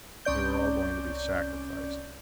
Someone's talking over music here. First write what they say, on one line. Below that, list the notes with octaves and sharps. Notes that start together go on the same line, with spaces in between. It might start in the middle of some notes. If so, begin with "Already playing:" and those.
They were all going to be sacrificed.
C2 C#4 D5 G6